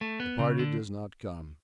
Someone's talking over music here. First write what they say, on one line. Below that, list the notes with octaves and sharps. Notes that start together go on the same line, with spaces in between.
The party does not come.
A3
B3
C#3
D3